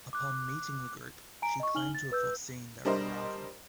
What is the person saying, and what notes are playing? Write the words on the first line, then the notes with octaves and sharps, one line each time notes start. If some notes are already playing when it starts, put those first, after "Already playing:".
Upon meeting the group, she claimed to have foreseen their arrival.
D6 F#6
G#5 A#5 D7
D#5 C#6
D#4 G#5 F6 F#7 G7
A6
B4 E6 G6
G3 D4 A#4 C5 D#5